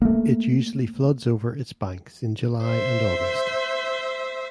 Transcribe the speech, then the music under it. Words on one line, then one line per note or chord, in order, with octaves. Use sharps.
It usually floods over its banks in July and August.
A3 A#3
C5 E5